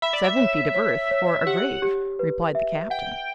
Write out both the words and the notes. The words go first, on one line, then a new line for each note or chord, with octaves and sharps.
'Seven feet of earth for a grave,' replied the captain.
E5 B5
D5
E5
C#5
C#5
C#5
G4 F#5
G4
B4
E5
F#5 G5